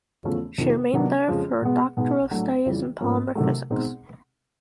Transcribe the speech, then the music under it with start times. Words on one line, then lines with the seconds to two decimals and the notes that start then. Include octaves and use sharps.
She remained there for her doctoral studies in polymer physics.
0.24 E2 C#3 F3 A3 C#4
0.58 F2 C3 D#3
0.93 C3 D#3 F#3 B3 D4
1.28 F2 C#3 F3 G#3 C#4
1.62 B2 G#3 B3
1.97 B2 G#3 B3 D#4
2.31 A2 F#3 A3 D4
2.66 F2 C#3 E3 G3
3.01 G#2 F3 A#3 C#4
3.35 C3 D#3 F#3 A3
3.70 B2 G#3 C4 D#4